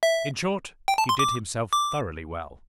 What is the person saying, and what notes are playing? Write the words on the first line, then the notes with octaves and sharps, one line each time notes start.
In short, he did himself thoroughly well.
E5
G5
A5
C6
D6
D6